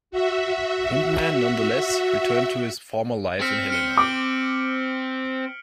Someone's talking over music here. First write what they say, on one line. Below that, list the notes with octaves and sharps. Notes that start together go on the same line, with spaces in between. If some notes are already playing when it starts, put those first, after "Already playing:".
Hindman, nonetheless, returned to his former life in Helena.
F#4 E5
C4 F6 B6 C#7
F6 C#7 G7
D6 D7 F#7